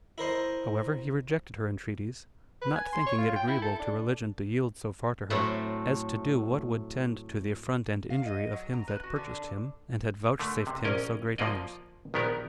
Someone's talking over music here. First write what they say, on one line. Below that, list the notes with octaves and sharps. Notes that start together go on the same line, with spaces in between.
However, he rejected her entreaties, not thinking it agreeable to religion to yield so far to her, as to do what would tend to the affront and injury of him that purchased him, and had vouchsafed him so great honors.
E4 A#4 C5 D#5
B4
G#5
C6
C#5
F4
G5
E4
A4
D4
A2 F#3 A3 C4 B5
F5
D#5
F#3
A#5
B4
F#4
D3
D3 A3
C3
A#1 C#4 A#4 D#5
F3 A#3 F4 D5 D#5
A#1 D#3 B3 G4 A#4